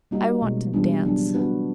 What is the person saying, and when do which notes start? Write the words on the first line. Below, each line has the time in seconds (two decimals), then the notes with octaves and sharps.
I want to dance.
0.11 G3 A#3 D#4 F#4
0.42 B2 G#3 C#4
0.73 E3 G3 B3 D4 F4
1.04 C#3 F#3 B3 D4
1.34 B3 D4 F#4 B4